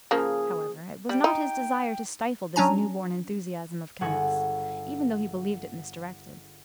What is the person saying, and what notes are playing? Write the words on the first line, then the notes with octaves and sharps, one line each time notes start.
However, it was not his desire to stifle this new-born enthusiasm of Kenneth's, even though he believed it misdirected.
C#3 F3 A#3 G#4
G3 G5
D#4
F#3 C#4 D4 G#5 A#5
G1 G#4 A4 F#5 G#5 C#6